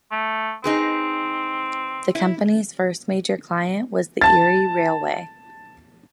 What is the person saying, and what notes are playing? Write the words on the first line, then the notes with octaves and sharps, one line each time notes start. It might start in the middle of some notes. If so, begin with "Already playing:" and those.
The company's first major client was the Erie Railway.
A3
C4 D#4 G#4 B4
E4
A5 A6